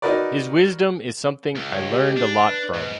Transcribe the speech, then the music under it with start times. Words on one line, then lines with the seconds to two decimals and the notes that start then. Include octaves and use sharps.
His wisdom is something I learned a lot from.
0.02 D#4 F#4 A#4 B4 D5
1.55 C#2
1.74 C#5
1.91 G4
2.17 D4
2.47 B4
2.74 G#2